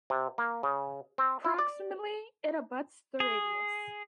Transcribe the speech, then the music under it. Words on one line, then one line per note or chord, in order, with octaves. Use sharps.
Proximally, it abuts the radius.
C3
A#3
C#3
C4
E4
D5
G#4